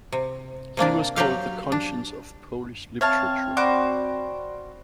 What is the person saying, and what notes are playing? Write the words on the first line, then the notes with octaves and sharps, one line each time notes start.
He was called the "conscience of Polish literature".
C3
C3 A#3 D4 D5
F#3 F#4 G4 F5
D4
C4 C#5 E5 F5 A5
F#4 C5 D5 G5 B5 D6